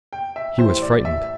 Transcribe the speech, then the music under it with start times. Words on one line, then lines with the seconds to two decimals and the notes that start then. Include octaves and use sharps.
He was frightened.
0.13 G5
0.36 E5
0.59 A2 E3 G3 C5
0.82 D5
1.05 E5